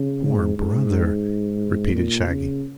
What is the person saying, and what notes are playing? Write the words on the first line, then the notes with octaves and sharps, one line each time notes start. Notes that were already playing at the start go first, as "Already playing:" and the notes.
"Poor Brother!" repeated Shaggy.
Already playing: C#3
G#2
G#2
A#2
C#3